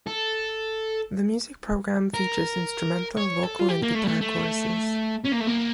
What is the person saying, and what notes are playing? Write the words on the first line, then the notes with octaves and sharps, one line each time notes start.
The music program features instrumental, vocal and guitar courses.
A4
A#4
C#5
A4
F4
G4
A#3
A3
G3
A3
A3
C#4
A#3
A3
A#3